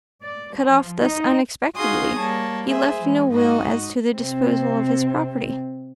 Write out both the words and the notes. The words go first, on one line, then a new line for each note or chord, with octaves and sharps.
Cut off thus unexpectedly, he left no will as to the disposal of his property.
D5
F3
D#4
D#4 F#4 G#4 F5 C6 D#6
G3 A#3 C#5 A5
G#4 C5 E5
E3 G#3
G#2 D#4 F#4 D#5
C3 C4